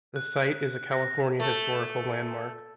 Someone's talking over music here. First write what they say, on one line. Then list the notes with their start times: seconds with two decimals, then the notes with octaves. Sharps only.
The site is a California Historical Landmark.
0.16 F#6
0.93 A#6
1.40 A3